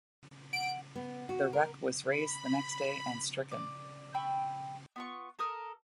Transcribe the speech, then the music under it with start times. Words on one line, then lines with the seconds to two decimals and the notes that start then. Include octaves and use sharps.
The wreck was raised the next day and stricken.
0.53 F#5 D7
0.96 B3
1.29 F#4
1.53 A#4
2.06 B5
3.51 D5
4.14 G5 B5 C#6 E6
4.96 B3 F4 C#6
5.39 A4 A#4 D#6 F6